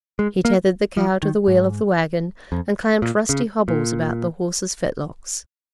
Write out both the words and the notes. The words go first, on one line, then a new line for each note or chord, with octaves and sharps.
He tethered the cow to the wheel of the wagon and clamped rusty hobbles about the horses' fetlocks.
G#3
A#3
F3
D#3
G#2
F2
A#2
C#3
A#2